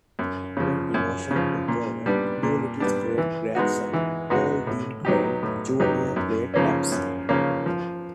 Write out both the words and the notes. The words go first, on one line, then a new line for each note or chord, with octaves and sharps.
When emotion took over, Doolittle's great-grandson, Paul Dean Crane, Junior played Taps.
F#2
C#3 F3
F#2
C#3 F3
A#2
G3 B3 D4
A#2
G3 B3 D4
E3
G#3 B3 D#4 F#4
E3
G#3 B3 D#4 F#4
A2
F#3 B3 D#4 G4
A2
F#3 B3 D#4 G4
F#2
C#3 F3 A#3 C#4
F#2
C#3 F3 A#3 C#4
F3